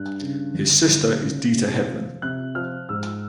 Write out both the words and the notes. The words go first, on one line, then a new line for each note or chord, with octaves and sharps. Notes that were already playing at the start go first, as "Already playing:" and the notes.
His sister is Deta Hedman.
Already playing: G2 F#6
C#3
G1
G1
C#3
C3
F3
C3 F#6
F3 F6
G#2 E6